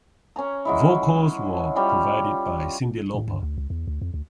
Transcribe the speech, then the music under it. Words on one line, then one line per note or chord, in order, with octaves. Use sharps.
Vocals were provided by Cyndi Lauper.
C#4 G#5 A#5
F#3 G#3 E4
G3 C#4 F4
A2
G2
D2
C#2
E2
D2
F2
D2